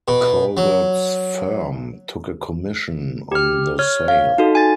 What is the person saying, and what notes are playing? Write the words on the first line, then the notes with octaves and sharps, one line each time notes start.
Calvert's firm took a commission on the sale.
B2
F#3
G4 F6
C#5 F6
F5
D#4 F#4 A4
G#5 A6